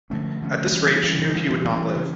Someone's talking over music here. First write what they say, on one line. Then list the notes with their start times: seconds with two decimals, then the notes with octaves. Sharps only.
At this rate she knew he would not live.
0.10 D3 F3 A3 C#4
0.42 D3 F3 A3 C#4
0.72 E3 G3 C#4
1.03 E3 G3 C#4
1.33 E3 G3 C#4
1.64 E3 G3 C#4
1.95 C#3 E3 A#3 C#4